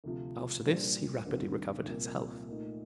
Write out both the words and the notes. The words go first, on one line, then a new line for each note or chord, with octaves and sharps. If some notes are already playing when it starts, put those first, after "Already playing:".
After this he rapidly recovered his health.
D2 C3 F3
A#2 G3 D4 G4 C5
D#2 D3 G3 C4 G4
C2 A#2 F3
A#2 A3 D#4